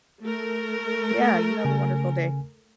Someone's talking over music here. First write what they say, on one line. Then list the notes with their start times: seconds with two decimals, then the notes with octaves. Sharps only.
Yeah, you have a wonderful day.
0.22 A3 A#4
1.65 C#3 G#5